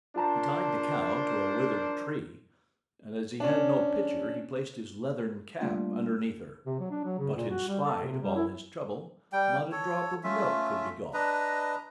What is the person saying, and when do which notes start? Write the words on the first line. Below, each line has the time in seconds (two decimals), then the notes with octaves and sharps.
He tied the cow to a withered tree, and as he had no pitcher he placed his leathern cap underneath her; but in spite of all his trouble not a drop of milk could be got.
0.16 D4 F4 A#4 C5 A5 A#5
3.40 C#4 D4
5.61 G3 A3 A#3 D4 F4
6.66 C3
6.80 F#3
6.91 D4
7.04 F#3
7.18 C#3
7.34 A#2
7.50 F#4
7.68 G3
7.84 A4
8.01 C3
8.22 G3
8.36 E4
9.33 G3 G5
9.72 A4 C#5
10.24 A3 C#4 F4 E5
11.13 D4 B4 D#5 A#5